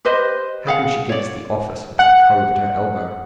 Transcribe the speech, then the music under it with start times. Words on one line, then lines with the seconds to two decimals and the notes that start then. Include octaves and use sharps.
"How can she give us the office with that cove at her elbow?"
0.05 G4 B4 C5 D#5
0.67 G#4 F5 F#5
1.09 C#5 D5
1.99 F#5